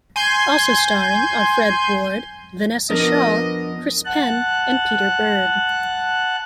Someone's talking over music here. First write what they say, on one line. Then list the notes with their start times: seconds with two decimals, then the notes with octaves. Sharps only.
Also starring are Fred Ward, Vinessa Shaw, Chris Penn, and Peter Berg.
0.16 G#5 C6 G6
2.90 F3 B3 D4 A#4 D#5
4.05 F#5 A5 F#6